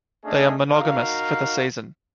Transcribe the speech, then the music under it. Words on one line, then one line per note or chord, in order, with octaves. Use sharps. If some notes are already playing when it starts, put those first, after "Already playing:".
They are monogamous for the season.
A3 C#4 D4 G#4 D#5 D#6
D#4 F#4 A#4 F5